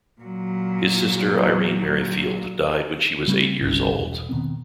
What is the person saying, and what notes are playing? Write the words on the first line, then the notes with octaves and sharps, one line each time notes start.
His sister Irene Merryfield died when she was eight years old.
A#2 F#3
C#3 G3 A3 C4
G1 C2 G2 C#4
E1 C2
B2 D#3 B3 C4